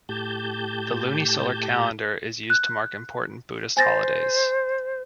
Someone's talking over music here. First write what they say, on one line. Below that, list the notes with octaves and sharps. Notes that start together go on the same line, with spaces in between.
The lunisolar calendar is used to mark important Buddhist holidays.
A2 G4 A5 G6
F#6
C5 G#5 A6 A#6